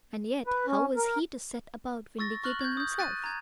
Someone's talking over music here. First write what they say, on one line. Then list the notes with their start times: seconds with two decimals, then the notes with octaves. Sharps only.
And yet how was he to set about vindicating himself?
0.46 B4
0.67 C#4
0.96 A#4
2.19 C#6 E6 A6 A#6
2.44 C#6 F6 F#6 F#7
2.61 G6 G#6
2.77 D#6 G6
2.99 F#6 A6 D#7
3.24 A#5 G#6